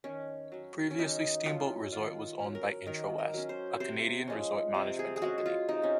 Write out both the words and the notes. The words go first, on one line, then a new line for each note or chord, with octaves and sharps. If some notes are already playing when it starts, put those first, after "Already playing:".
Previously Steamboat Resort was owned by Intrawest, a Canadian resort management company.
D#3 C#4
F#3 C#4
C#4
D#3 D#4
F#3 C#4 F4
D#3 F4
F#3 C#4
A#4
D#3 A#4
A#4
F#3 C#4
C5
C3 C5
F3 G#3 C#4
C3
G#4
G#4
F3 G#3 C#4 F#4
F#4
F4
C3 D#4
C#4